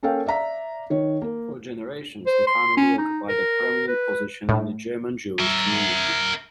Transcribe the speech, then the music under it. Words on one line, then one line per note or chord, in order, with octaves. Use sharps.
For generations, the family occupied a prominent position in the German Jewish community.
A#3 C#4 A4 A#4 F5 G5
D5 E5 F5 A#5 B6
D#3 C#5
A#3
C5
C6
C#4
D#4
A#4
B4
A2
A#4 E5